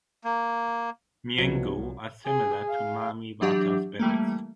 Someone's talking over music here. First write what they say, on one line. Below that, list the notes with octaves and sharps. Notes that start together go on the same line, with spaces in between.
Miengu are similar to Mami Wata spirits.
A#3
C2 B2 F3 F#3
G#4
F5
E3 F#3 D4 G4
E3 G3 A3 A#3